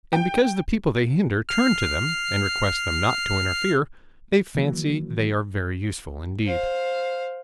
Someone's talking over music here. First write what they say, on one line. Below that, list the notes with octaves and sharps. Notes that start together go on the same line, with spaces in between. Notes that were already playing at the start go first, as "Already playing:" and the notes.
And because the people they hinder turn to them and request them not to interfere, they fancy they are very useful indeed.
G5
F6 C7
D#3 E3 F#3 A#3
C5 F5